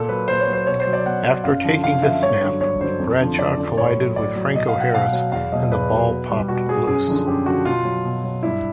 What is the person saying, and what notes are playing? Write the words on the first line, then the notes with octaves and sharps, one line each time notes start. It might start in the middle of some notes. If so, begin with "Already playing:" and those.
After taking the snap, Bradshaw collided with Franco Harris and the ball popped loose.
Already playing: A#2 A4
F#3 B4
A#2 C5
C#5
F#3 C5
B2 C#5
C5
F#3
D5
B2 F#5
F#3
F#2 F5
D3 F3
F#2 F5
D3 F3 E5
G2 C#5
D3
F#3
G2 C#5
D3 F#3 C5
F2
D3 F3
F2 D5
D3 F3
A2 C#5
F#3
A2 D5
F#3
B2 D#5
F5
F#3
F#5
B2 F5
F#3
E2 F5
B2 F#3 D#5
E2 B4
B2 F#3
B2
G3
B2 F#4
G3 G#4
F#2 G#4
D3 F3
F#2 G4
D3 F3 F#4
B2 F4
F#3
B2
F#3
G2 E4